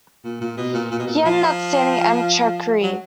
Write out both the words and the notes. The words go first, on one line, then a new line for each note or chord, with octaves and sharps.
He had an outstanding amateur career.
A#2
A#2
B2
A#2
A#2
B2
A#2
F3
F#3